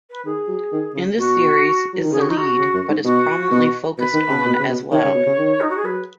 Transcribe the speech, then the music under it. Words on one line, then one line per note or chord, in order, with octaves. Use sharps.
In this series, is the lead, but is prominently focused on as well.
B4
D#3 G#4
F#3
D#3
C#3
B2 F#4
F#3
D#3
C#3 G#4
F#4
D#4
F#4
C#3
F#2
G#2
B2 F#4
B2
B2 B4
D#3
C#3
B2
C#3
B2
D#3 C#5
C#3
B2
C#3
D#3
D#4
F#4
G#4
F#3 B4